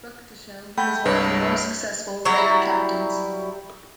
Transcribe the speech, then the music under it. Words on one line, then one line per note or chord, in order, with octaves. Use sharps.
Ruckteschell was one of the more successful raider captains.
A3 F#5 G5 B5 G6
C2 G2 B4 C#5
F#3 G3 E4 A#5